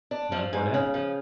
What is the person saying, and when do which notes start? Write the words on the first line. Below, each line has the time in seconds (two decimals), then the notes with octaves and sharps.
None whatever.
0.11 D4
0.32 F3
0.53 G#2
0.74 C#3
0.94 F3